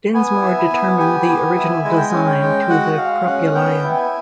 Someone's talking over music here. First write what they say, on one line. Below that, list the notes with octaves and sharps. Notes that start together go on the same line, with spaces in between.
Dinsmoor determined the original design to the Propylaia.
B3 G#5
E4
B3
G4 G#5
B3
E4
G#3 G#5
G5
C#4 G#5
G5
G#3
F#4 F#5
G#3 F5
C#4 F#5
B3 G5
E4
G5
G#5